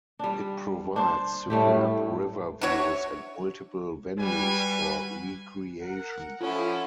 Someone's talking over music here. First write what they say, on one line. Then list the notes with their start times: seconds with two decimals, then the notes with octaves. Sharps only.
It provides superb river views and multiple venues for recreation.
0.19 G3 D4
0.96 D4 C5
1.50 A2 G3 A3 G4
2.61 D4 E4 F#4 C#5
4.18 G3 F#4 B4 G#5
5.81 A#4 F#5
6.41 F3 C#4 E4 F4 A4 F#5